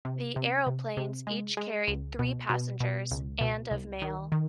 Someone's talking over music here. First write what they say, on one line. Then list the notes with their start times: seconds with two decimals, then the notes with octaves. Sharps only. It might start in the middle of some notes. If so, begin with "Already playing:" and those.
The aeroplanes each carried three passengers, and of mail.
0.05 C3
0.36 C3
0.67 C3
0.97 C3
1.27 G#3
1.57 G#3
1.88 C#2
2.19 B2
2.50 B2
2.80 B2
3.11 C#2
3.41 B2
3.71 C2
4.02 D#3
4.32 D#3